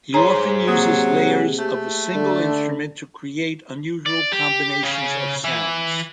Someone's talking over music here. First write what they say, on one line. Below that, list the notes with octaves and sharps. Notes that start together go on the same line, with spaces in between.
He often uses layers of a single instrument to create unusual combinations of sounds.
G#4 C5 C#5 A#5
C3 F#3 A#3 D#6
A3 G4
D3
D5
G4
C#3
E3